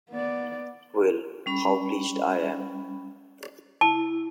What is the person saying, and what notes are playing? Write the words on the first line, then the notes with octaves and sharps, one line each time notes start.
Well, how pleased I am!
B3 D5
G3 C#4 B5
E4 A5